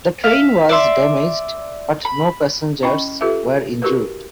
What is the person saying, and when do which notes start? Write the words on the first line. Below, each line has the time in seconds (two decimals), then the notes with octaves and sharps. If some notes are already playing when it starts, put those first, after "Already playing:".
The train was damaged but no passengers were injured.
0.24 E5 F5
0.69 D5 E5 C6
2.05 B5
2.83 C#4 E4 D#5 G5 B5 C#6
3.21 F4 G4 A4 B4 E5
3.82 E4 F#4 G4 A#4 B4